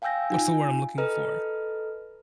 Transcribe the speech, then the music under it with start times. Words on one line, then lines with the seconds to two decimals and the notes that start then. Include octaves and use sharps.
what's the word I'm looking for?
0.02 F5 G5 G#5 E6 G6 A#6
0.30 D#4 F4 G#5
0.98 A4 B4 D#5 A#5 F6